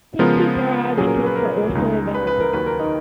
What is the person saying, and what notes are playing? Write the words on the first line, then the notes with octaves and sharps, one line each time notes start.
Pinky garage kits are also available.
C#3 F3 G#3 B3 F4 A#4
A#2 F#3 C#4 G#4
A#4
B4
A#4
C#2 C#3 G#3 D#4
B4
B4
A#4
D#2 D#3 F#3 B4
A#4
D#4